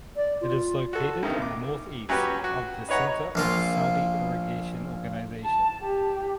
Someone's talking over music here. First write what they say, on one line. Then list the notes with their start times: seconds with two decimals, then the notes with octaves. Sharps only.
It is located in the northeast of the center of Saudi Irrigation organization.
0.16 D5
0.41 F4
0.93 F#4 A4
1.23 G2 C3 D#3
1.42 D6
2.09 F#3 C#4 F#4 G4 B4
2.44 F#4
2.89 D#4 B4 C#5 F#5 A#5
3.35 A#1 A#3 F4
5.44 A5
5.82 G4